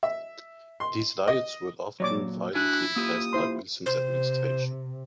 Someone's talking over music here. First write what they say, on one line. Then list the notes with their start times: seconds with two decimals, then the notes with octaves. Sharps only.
These riots were often violently repressed by Wilson's administration.
0.03 E5
0.80 C6
1.28 D#5
2.00 A#2 F#3 C#5 D5 D6
2.55 D4 E4 F#4 G#5 F#6
2.96 A#3 F4 G4 D#6
3.33 E4 C5 C6
3.86 C3 C5